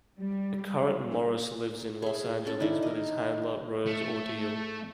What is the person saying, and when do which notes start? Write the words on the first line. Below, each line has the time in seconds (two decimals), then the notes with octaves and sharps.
The current Morris lives in Los Angeles with his handler, Rose Ordile.
0.19 G3
2.02 G#4 E5
2.47 C#4 A4
2.60 D#3 D4 E4
2.82 A#4 D#5
3.86 A3